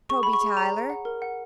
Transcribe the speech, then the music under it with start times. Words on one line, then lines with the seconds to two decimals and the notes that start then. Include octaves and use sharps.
"Toby Tyler."
0.10 G#4 C#6
0.23 F#5 B5
0.33 C#6
0.41 G#4
0.57 C#5 A#5
0.74 G#4
0.90 F#5
1.05 A#4
1.22 F#5